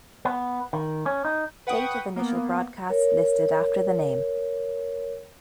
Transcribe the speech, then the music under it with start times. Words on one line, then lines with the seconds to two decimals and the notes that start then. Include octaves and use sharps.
Date of initial broadcast listed after the name.
0.25 B3
0.73 D#3
1.06 C#4
1.25 D#4
1.67 B4 F#5 G5 C#6 D#6
2.16 A#3 B3
2.90 A#4 C#5